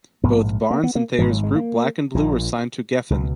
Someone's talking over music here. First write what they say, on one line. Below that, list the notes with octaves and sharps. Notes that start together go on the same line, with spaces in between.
Both Barnes and Thayer's group Black 'n Blue were signed to Geffen.
A#1 G#2 B3
A#3
B3
A#3
G#1 G#2 E3
F#3
G#3
A#3
A#1 A#2
C#2 B2